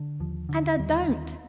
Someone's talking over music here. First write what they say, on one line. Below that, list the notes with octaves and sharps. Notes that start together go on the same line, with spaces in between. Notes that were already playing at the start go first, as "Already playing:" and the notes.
And I don't.
Already playing: D3
D#2 F3
D3
D#2 G3
D#2